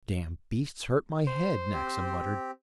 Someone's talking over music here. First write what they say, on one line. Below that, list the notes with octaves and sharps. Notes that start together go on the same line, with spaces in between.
"Dam' beasts hurt m'head," Naxa muttered.
C5
C4 G4